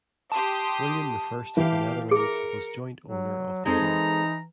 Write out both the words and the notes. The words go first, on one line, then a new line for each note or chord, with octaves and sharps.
William the First of the Netherlands was joint owner of the plant.
G4 A5 C6 D#6
E3 G4 F5
G#4 A#4 C#7
F#3
F2 G#3 C4 D#4 A4 A#5
E3